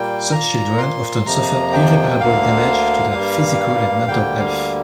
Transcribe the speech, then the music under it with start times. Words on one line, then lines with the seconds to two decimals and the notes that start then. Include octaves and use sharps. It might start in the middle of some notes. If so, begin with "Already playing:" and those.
Such children often suffer irreparable damage to their physical and mental health.
Already playing: A#2 G3 A#3 G5
0.31 A#2 A#3 A#5
0.78 C6
1.26 F2 C3 F3 A#3 A#5
1.73 G5
2.20 D2 D3 A#3 F5
3.14 G2 G3 A#3
4.08 D2 D3 G3 A#3 G5
4.39 F5